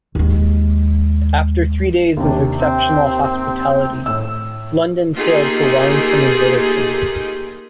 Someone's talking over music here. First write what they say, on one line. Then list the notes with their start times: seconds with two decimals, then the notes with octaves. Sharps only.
After three days of exceptional hospitality, "London" sailed for Wellington and Lyttleton.
0.15 D#2 G#3
2.17 D#2 C3 D4
2.56 C4
4.06 A2 E6
5.14 A3 A#3 D#4 F4 G4 G#4